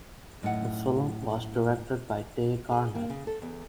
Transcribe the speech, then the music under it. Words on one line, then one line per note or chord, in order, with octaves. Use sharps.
The film was directed by Tay Garnett.
F#2 A2 D#4 F#5
G#4
A#3
C#3
A4
E2